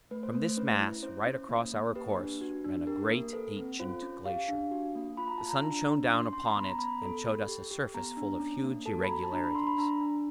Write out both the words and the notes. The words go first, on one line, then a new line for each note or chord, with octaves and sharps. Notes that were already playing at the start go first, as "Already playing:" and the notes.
From this mass, right across our course, ran a great, ancient glacier; the sun shone down upon it and showed us a surface full of huge irregularities.
A3 B4
C5
A3
C5
C#4 B4
E4
C#4 C5
C#4
A#3
A#3
G4 B4
D4
F#4
D4
G4 A#4
A#3 A#4
A4 B4
C4
F4 C5
C#4
G4 F5
D4
F#4
A#3
F4 B5
A#5
F4 A5
A#5
D4
D4
C#4 C6
C#4 C6
A#5
B3 B5
A#5
B3 B5
A4
A4
G4
G4
B3 A#5
D4
C#4
A#3
A4 A5
B5
F#4 A#5
A5
D4 A#5
B5
D4 C6
B5
D4 A#5
D4